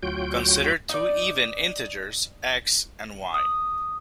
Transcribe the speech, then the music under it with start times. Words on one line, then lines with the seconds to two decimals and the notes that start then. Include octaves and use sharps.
Consider two even integers "x" and "y".
0.03 D2 F#3 F4 F#4 G5 G6
0.89 D#4 D5
3.34 D#6